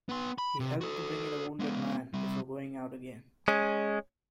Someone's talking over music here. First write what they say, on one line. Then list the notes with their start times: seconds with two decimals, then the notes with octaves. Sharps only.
He helped to bring in a wounded man, before going out again.
0.09 B3 C6
0.38 B5
0.60 C3
0.81 F#4 A4
1.60 G#3 B3
2.14 G3 C4
3.48 G#3 C#4